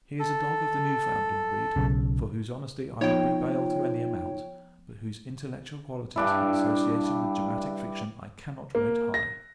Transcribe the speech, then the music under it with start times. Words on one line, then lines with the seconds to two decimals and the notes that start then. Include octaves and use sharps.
He is a dog of the Newfoundland breed, for whose honesty I would be bail to any amount; but whose intellectual qualities in association with dramatic fiction, I cannot rate high.
0.19 A4
1.76 B1 C#3
3.01 F3 B3 D#4 F4 C#5 G5
6.16 G2 D4 E4
8.75 A#3
9.14 A#6